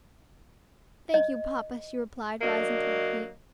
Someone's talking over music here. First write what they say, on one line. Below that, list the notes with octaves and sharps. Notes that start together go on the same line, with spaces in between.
"Thank you, papa," she replied, rising to her feet.
D#5
F#3 A#3 D4 D#5